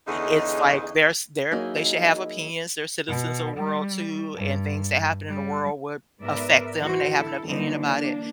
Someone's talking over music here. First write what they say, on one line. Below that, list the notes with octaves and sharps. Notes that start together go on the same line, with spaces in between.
it's like there's there they should have opinions, they're citizens of world too, and things that happen in the world would affect them, and they have an opinion about it,
E2 D3 C#4 D#4 G#4 D#5
F#3 A#3 D#4 E4 G#4 D#5
B2
G3
G2
G3
G#2 B3 A#4 B4 D5 E5
E3 F#4 C5
E4 A4
D3 E3 F#3 G3 A#3 D#4
A#3 D4